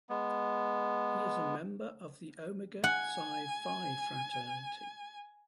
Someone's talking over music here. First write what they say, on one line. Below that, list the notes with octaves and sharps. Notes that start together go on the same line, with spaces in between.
He is a member of the Omega Psi Phi fraternity.
G#3 B3
F#5 G#5